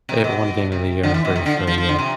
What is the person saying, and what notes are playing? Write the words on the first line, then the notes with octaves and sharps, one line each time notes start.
It won Game of the Year, I'm pretty sure, yeah.
C3
B2
C3
D3
E3
B2
C3
D3
F3
F3
F3
D3
C3